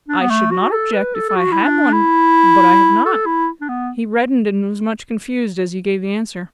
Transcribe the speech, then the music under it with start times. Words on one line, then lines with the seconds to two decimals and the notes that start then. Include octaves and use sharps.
'I should not object, if I had one; but I have not.' He reddened and was much confused as he gave the answer.
0.08 D4
0.20 B3
0.30 A3
0.51 F#4
0.72 A4
0.93 B4
1.14 A4
1.29 A4
1.36 F#4
1.52 E4
1.64 D4
1.93 E4
3.05 A4
3.26 E4
3.61 D4
3.69 B3